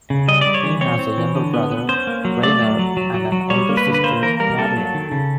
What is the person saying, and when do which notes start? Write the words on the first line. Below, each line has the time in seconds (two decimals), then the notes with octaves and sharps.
He has a younger brother, Rainer, and an older sister, Marion.
0.10 C#3
0.28 G3 D#5
0.41 G3 D5
0.54 C#5
0.64 E3
0.81 C4 C#5
0.99 C4
1.18 E3
1.35 D3
1.54 B3
1.71 B3
1.89 C#4 C5
2.07 A#3
2.25 F#3
2.43 A3 D5
2.61 F#3
2.79 F#3
2.97 F#3
3.14 F#3
3.32 F#3
3.50 G3 C#5
3.69 A#3
3.77 B4
3.87 D3
3.94 B4
4.04 A#3 C5
4.22 E3 A#4
4.40 G3 A#4
4.58 A#3 A4
4.77 F#3
4.94 D#3
5.12 C#3